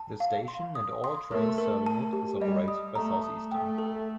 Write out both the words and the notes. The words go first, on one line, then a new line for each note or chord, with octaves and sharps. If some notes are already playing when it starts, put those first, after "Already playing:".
The station, and all trains serving it, is operated by Southeastern.
Already playing: A5
F5
C6
D#6
C6
A3 A#4
A#4
A5
G4
G3 D#5
D#6
A3 A#5
D#6
A3 G5
A4